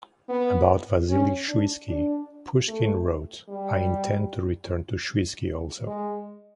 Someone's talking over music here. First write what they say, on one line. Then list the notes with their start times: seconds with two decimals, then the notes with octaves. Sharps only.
About Vasili Shuisky, Pushkin wrote, I intend to return to Shuisky also.
0.29 B3
1.09 C#4
1.48 D4
1.88 D4
2.68 A3
3.49 G3
5.87 G#3